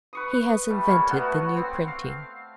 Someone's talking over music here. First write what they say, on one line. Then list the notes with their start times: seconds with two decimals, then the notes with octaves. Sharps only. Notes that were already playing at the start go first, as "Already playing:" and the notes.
He has invented the new printing.
0.13 B4 C#6 D#6
0.70 G3 A3
0.88 A#3 C#5
1.09 A3 B3 F#4
1.57 C4
1.88 F5